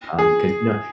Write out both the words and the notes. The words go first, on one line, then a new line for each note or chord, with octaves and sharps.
um, 'cause, you know,
G#4